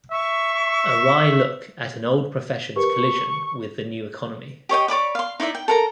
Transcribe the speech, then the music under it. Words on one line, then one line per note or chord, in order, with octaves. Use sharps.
A wry look at an old profession's collision with the new economy.
E5 C#6
G4 A#4 B4 C#6
G4 C#5 D#5 G5
C#5 D5 B5 D6
F5 C6
D#4 E4 D5 E5
G5
A4 A#4 A#5